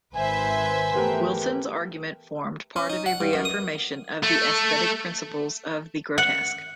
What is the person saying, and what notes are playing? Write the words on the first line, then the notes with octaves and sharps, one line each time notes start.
Wilson's argument formed part of a reaffirmation of the aesthetic principles of the grotesque.
G#1 D#3 B4 C5 E5 G#5
E3 A3 B3 G4 A#4
C#4
D#4
F#5
G2
F#2
D#6
A3
F#5